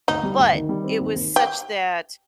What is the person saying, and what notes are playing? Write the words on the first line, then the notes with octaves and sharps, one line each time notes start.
But it was such that
D2 D#4
G3
D2
D#3
G3
C4
D#2
D#2
G4